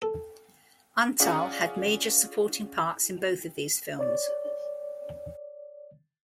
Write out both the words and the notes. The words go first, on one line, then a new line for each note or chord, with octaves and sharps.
Antal had major supporting parts in both of these films.
A4
C#4 F4 G#4 D5 F#5
C#5 D5